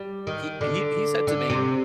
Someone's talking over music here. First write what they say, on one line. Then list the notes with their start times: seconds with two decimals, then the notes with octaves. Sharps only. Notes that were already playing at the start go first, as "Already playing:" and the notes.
he he he said to me,
Already playing: G3
0.27 D#3
0.61 D3
1.27 D3
1.50 C3